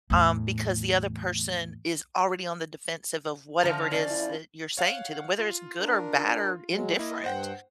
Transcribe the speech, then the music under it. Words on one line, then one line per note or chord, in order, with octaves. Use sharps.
um, because the other person is already on the defensive of whatever it is that you're saying to them, whether it's good or bad or indifferent.
E2 A2
D3 F3 A#5 F6
C#4 D5 F5
E4
C#5 F5 F#5
F4
D4 A#4
F#3 G#3
A#3 E4 D#5
G2 C5 F#5 G5